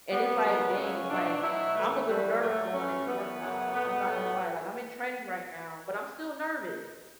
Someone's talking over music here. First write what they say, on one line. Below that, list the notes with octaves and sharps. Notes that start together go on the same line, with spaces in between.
and it's, like, dang, it's, like, I'm a little nervous going into work tomorrow. I'm not gonna lie, like, I'm in training right now, but I'm still nervous
C#3 G3 B3
F#2 C#3 F#3
F#2 C#3 F#3 C#4
B2 F#3 A3 D4
B2 F#3 A3 E4
A2 E3 A3
F#2 E3 G3
A2 F#3 A3
G2 E3 A3 C#4
F#2 E3 A3 B3
F#2 C#3 F#3 A3
B2 A3 B3
A2 F#3 A3